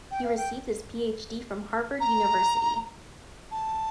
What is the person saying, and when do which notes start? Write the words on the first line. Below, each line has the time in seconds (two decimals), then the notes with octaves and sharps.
He received his PhD from Harvard University.
0.11 G5
0.24 F5
0.37 G5
2.00 A#5
3.51 A5